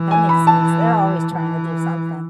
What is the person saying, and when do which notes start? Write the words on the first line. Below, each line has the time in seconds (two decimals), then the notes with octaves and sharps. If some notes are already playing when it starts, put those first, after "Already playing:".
That makes sense. They're always trying to do something.
Already playing: E3
0.11 G#5
0.29 B5
0.47 A5
1.35 E3